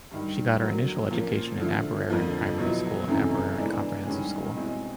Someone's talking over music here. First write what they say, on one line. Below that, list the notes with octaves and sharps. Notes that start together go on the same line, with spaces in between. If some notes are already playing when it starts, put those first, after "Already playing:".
She got her initial education in Aberaeron Primary School and Aberaeron Comprehensive School.
G2 D#3 G3
D3 F#3 A#3
A#2 F3 A#3 C#4
D3 F3 A3
F2 D3 F3 A#3
B2 F#3 B3 E4
F#2 C#3 E3 A3 C4
E3 G#3 B3 D4
G2 D#3 G#3 C#4
B2 G#3 C4 E4